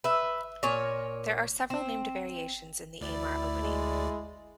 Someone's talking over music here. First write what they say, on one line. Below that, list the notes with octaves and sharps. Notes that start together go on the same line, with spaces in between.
There are several named variations in the Amar Opening.
B4 E5
A#2 A#4 C#5 G#5
C4
D2 E4 D5
G#3